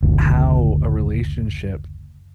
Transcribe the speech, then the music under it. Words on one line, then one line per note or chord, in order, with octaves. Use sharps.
how a relationship
F#1 D2